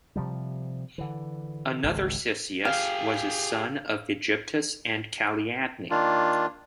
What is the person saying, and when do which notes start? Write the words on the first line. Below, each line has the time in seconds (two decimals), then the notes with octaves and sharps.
Another Cisseus was a son of Aegyptus and Caliadne.
0.16 C3 F3 G3
0.98 D3 E3
1.83 G#1 C#2
2.65 G4 G#4 F5
5.91 D#3 A#3 D4 F4